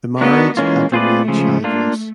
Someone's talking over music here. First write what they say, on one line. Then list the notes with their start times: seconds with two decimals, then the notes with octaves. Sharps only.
The marriage had remained childless.
0.21 B3 D4 F#4 A#4 D#5
0.57 E3 G#3 A#3 C#4 F4
0.92 A3 C4 F4 G#4 B4 D5
1.28 C#3 F3 G#3
1.64 A#3 D4 F4